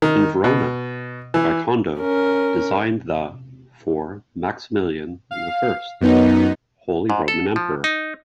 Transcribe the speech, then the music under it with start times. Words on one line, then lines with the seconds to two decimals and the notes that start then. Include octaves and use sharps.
In Verona, Giocondo designed the for Maximilian the First, Holy Roman Emperor.
0.02 D#3
0.44 B2
1.34 E3
1.99 C#4 A#4
5.31 F5
6.01 F#2 B3 D#4
7.10 G#2
7.28 A4
7.56 F3
7.84 D#4